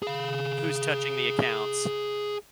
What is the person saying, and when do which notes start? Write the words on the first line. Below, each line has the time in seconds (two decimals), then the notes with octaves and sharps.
Who's touching the accounts?
0.02 G#4 F5